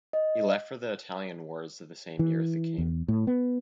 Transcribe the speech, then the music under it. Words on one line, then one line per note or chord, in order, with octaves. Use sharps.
He left for the Italian wars the same year with the king.
D#5
E3
E2
A2
B3